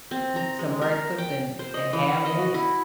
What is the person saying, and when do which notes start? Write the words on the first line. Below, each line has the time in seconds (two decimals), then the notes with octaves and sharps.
eat some breakfast and and have at it.
0.11 C4
0.36 A#5
0.59 G#3
0.82 A#4
1.18 G5
1.59 C5
1.74 D#5
1.93 E3
2.25 D#5
2.39 F#4
2.54 E4